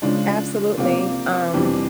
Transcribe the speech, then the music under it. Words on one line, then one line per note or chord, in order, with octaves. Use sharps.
Absolutely. Um,
C#3 F3 G#3 D4
C3 F3 A#3
F2 C3 E3 G3 D4